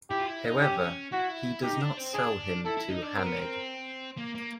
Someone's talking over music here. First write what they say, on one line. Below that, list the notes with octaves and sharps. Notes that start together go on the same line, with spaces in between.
However, he does not sell him to Hamegg.
E4 G4
F4
E4
D#4
C#4 G4
E4 F#4
D#4 G4
D#4
D4
C4
D4 G#4
E4 A4
E4
D#4
D4
C4 A#4
B3
C4
A#3
A#3